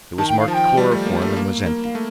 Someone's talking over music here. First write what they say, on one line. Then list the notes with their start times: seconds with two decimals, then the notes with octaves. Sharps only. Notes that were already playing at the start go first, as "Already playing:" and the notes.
It was marked chloroform and was empty.
0.18 D#3 A5
0.28 G5
0.39 F5
0.48 F3 A5
0.54 G5
0.77 G3
0.91 A3
1.06 A#3
1.22 A3
1.37 A#3
1.66 A#3
1.84 F5
1.95 A3